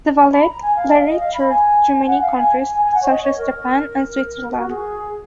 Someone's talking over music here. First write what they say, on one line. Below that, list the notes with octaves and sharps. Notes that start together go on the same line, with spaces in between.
The ballet later toured to many countries such as Japan and Switzerland.
B5
A#5
G#5
F5
D#5
F5
D#5
F5
B5
G#5
F#5
F5
G#5
G#5
G#5
F#5
C#5
D#5
C#5
A#4
F#4
G#4